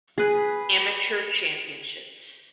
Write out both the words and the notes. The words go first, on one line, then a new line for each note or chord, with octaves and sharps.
Amateur championships.
G#4 B4